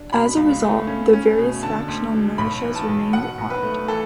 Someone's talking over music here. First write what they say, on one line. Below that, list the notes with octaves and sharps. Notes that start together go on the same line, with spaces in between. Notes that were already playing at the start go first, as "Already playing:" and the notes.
As a result, the various factional militias remained armed.
Already playing: D4
B2 B5
C#2
A3
C#4
C#4
B2
D3 A5
D2
F#3
B1 B5
E3
A5
B1
B2 F#5
B1
B4
A3
E3 A4